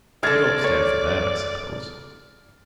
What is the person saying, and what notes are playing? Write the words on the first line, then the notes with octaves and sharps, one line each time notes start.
You don't stand for that, I suppose?
G#3 A4 D5 F6 G#6 A6
C#5